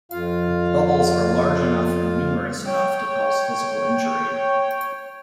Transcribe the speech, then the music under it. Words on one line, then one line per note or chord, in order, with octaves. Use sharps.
Bubbles are large enough and numerous enough to cause physical injury.
F2 F4 F5
C#5 G5